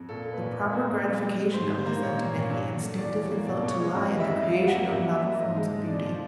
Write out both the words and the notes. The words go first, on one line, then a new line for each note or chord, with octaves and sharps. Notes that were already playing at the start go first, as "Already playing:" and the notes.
The proper gratification of the sentiment he instinctively felt to lie in the creation of novel forms of Beauty.
Already playing: F2
A#2 A4
A3
B4
A#2
A#2
A#3
A#2
C3
G#3
C3
G#2 C5
G3
C5
A#3
A#2 C#5
A#3
A#2
G2
F#3
A3
E2 D5
G3
C#5
A#3
B2 D5
B2
C#5
G#3
F2 D#5
G3
E5
F2
C3 F5
G3
F#5
A#3
F2 E5
F3
E5
A#3
G#2 D#5
G#3
G#2
F2 D5
F3